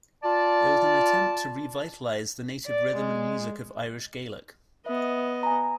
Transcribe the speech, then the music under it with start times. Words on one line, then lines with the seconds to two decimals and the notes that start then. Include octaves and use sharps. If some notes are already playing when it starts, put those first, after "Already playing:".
There was an attempt to re-vitalize the native rhythm and music of Irish Gaelic.
0.23 F4 D5 A5
2.66 D5
2.96 G#3
4.86 B3 D#5 E5
5.43 G#5 A#5